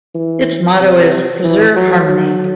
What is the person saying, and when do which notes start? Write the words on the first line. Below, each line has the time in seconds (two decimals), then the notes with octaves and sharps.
Its motto is "Preserve Harmony".
0.15 E3
0.80 C3
1.44 E3
1.76 F#3
2.08 F#3